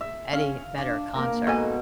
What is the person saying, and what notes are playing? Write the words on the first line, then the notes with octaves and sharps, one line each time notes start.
Eddie Vedder concert.
E5
C#4 G#4 F5
D4
A#3 A#4
G#2 B2 A4 G#5